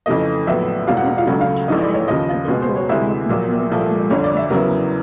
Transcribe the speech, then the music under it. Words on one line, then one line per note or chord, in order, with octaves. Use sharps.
The Biblical 'tribes' of Israel were composed of many clans.
F2 C#3 E3 A3 D#5
A#1 A2 F#3 B3 E4 E5
E1 E2 B2 F5
F#5
F5
C#2 C#3 F#3 A3 F#5
F5
A#1 G#2 E3 A3 D#5
D5
C#5
D#2 C#3 F3 D#5
F5
C#2 B2 G#3 B3
C5
C#5
D2 C3 E3 G#3 E5
A#1 A#2 F#3 A#3
C2 A#2 F3 A3
G1 F2 D3 C#5
D5
E5
E2 C#3 F#3 B3 E4 A#4